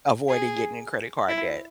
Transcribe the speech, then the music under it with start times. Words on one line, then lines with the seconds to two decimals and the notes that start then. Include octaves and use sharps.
avoiding getting in credit card debt.
0.28 G#4
1.29 E4